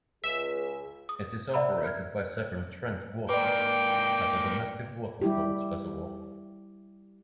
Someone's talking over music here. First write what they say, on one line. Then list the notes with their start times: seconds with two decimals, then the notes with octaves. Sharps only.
It is operated by Severn Trent Water as a domestic water storage reservoir.
0.24 C#2 G#4 E5
1.09 D#6
1.54 D5 E5 F#5 A#5 B5 E6
1.86 F6 G#6
3.29 G#2 A#3 B4 D5 G5
5.22 G3 E4 G4